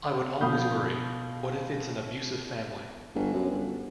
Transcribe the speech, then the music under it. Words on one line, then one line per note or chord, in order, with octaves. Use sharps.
I would always worry: what if it's an abusive family?
B2 F3 F5 B5 D#6 G6
G1
F#2
G1